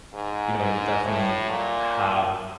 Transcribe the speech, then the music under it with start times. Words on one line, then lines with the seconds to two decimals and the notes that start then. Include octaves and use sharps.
you know, you definitely have
0.13 G#2
0.59 G#2
1.04 A2
1.49 A#2